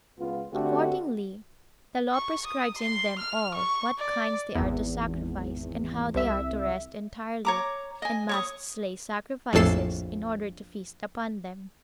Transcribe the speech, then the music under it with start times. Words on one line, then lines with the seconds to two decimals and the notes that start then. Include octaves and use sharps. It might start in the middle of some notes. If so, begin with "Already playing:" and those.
Accordingly, the law prescribes in them all what kinds they are to sacrifice, and how they are to rest entirely, and must slay sacrifices, in order to feast upon them.
0.18 C#2 B3 F4
0.53 D3 A3 C4 D4 F#4 G4
2.14 C#6
2.47 D#6
2.79 C6
3.20 F6
3.55 C#6
3.98 D5
4.55 G#1 E2
6.14 C2 E5
7.45 C#5 A#5 D6
8.02 D#5 G#5
8.29 C#5 C#6 D#6
9.53 A#1 F2 A2 A4 C7 E7